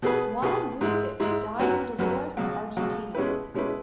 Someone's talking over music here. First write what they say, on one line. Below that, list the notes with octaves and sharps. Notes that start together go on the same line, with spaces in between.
Juan Vucetich died in Dolores, Argentina.
B2 B3 G#4 B4
B2 B3 G#4 B4
G#2 G#3 E4
G#2 G#3 E4
F#2 F#3 B3 F#4 B4
F#2 F#3 B3 F#4 B4
C#2 B2 F#3
C#2 B2 F#3
B2 G#3 C#4 E4 B4
B2 G#3 C#4 E4 B4